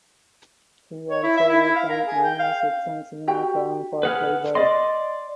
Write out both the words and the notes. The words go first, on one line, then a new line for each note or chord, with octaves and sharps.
He also wrote an annual "Sex and Cinema" column for "Playboy".
C#5
E4
E5
E4
E4
F5
A#4
G#4
G5
F5
F#4 G4 G5
G#4 B4 F#5 F6
D5 D#5 C6